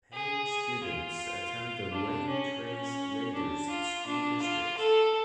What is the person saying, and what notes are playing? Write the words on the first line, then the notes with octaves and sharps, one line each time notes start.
Payne students attend the Wayne Trace "Raiders" school district.
G#4
F4
D4
C#4
C#4
D4
F4
D4
F4
A4